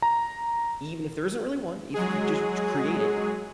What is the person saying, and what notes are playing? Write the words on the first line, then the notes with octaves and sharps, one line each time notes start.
even if there isn't really one, eve if you just create it
A#5
F#3 G#3 G#4